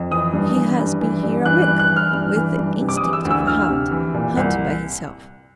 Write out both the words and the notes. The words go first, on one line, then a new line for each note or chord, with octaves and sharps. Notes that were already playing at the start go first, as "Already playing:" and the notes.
He has been here a week, with the instinct of a hound, hunting by himself.
Already playing: F2
E3 D#6
G2
E3
G2
E3
G2
E3 F#6
F#6
G2
F#6
E3
F6
G2
E3
G2
C3
D6
D#6
E3
E6
D2
E6
D2 F6
C3
E3
A#2
C2